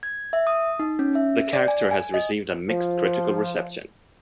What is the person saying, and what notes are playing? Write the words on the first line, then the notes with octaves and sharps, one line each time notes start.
The character has received a mixed critical reception.
G#6
E5
D#6
D#4
C#4
E5
D5
G#5
G#5
D#5
F3